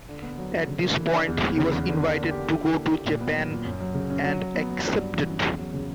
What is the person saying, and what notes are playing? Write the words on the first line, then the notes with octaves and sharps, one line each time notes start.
At this point he was invited to go to Japan, and accepted.
D3
B3
F#3
D3
C#3
A#3
E3
D4
E2
E3
C#3
E2
D3
D4
A#3
G4
D3
E4
A#3
G4
A#2
B3
F#3
A#2
F#2
F#3
C#3
C#4
F#3
F#4
B3
F#3
G2
G3
E3
C#4
E2
F#3
C#3